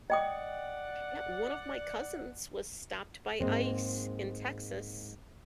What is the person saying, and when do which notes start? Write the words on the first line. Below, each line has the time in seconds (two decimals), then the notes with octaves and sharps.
Yeah, one of my cousins was stopped by ICE in Texas.
0.10 D5 D#5 F#5 G5 D#6
3.41 G#2 G#3 A#3 C4